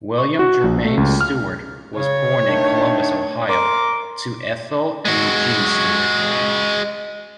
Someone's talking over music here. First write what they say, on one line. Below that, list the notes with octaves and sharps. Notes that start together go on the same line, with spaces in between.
William Jermaine Stewart was born in Columbus, Ohio, to Ethel and Eugene Stewart.
C#6
F#4
A#1
A3
C#2
F6
C#3 C#5
D#3 A3 D4
A#4 C6 D6
G#3 F#4